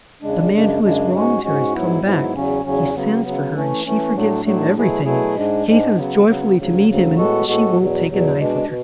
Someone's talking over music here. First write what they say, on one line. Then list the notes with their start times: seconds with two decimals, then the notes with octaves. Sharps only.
The man who has wronged her has come back, he sends for her and she forgives him everything, and hastens joyfully to meet him and she won't take a knife with her.
0.22 E2 C#3 G#3 D4
0.52 F#2 C#3 G#3 D4
0.82 F#2 C#3 G#3 D4
1.12 G#2 G#3 C#4 F#4
1.43 G#2 G#3 C#4 F#4
1.73 G#2 F#3 B3 E4
2.04 G#2 F#3 B3 E4
2.33 E2 C#3 F#3 C#4
2.64 E2 C#3 F#3 C#4
2.94 C#3 F#3 B3
3.24 C#3 F#3 B3
3.55 E3 A3 C#4
3.85 E3 A3 C#4
4.15 A2 F#3 A3 D4
4.45 A2 F#3 A3 D4
4.75 B2 F#3 A3 E4 G#4
5.05 B2 F#3 A3 E4 G#4
5.36 G#2 G#3 D4
5.66 G#2 G#3 D4
5.96 C#3 F#3 B3
6.26 C#3 F#3 B3
6.57 D2 C#3 F#3
6.86 D2 C#3 F#3
7.16 A2 G#3 B3 F#4 A4
7.47 A2 G#3 B3 F#4 A4
7.77 E2 B2 F#3
8.07 E2 B2 F#3
8.38 B2 G#3 D4
8.67 B2